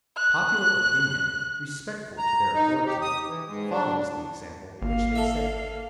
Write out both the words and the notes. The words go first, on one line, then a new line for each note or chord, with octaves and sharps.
Popular opinion, respectful to their authority, follows the example which they set.
F#6
A#5
D#4
G4
D#6
E3
G#2
D4
G#1 A#3 F5
A4 E5